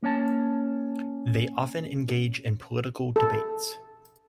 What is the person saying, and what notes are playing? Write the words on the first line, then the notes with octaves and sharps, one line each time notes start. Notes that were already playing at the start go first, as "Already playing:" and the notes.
They often engage in political debates.
A#3 C#4 C#5 A5
A4